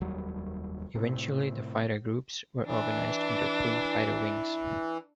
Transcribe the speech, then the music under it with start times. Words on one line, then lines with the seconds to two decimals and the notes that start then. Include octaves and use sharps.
Eventually the fighter groups were organized into three Fighter Wings.
0.01 F1 D#2 F#3 G3
0.95 A2 C3
2.66 E3 D4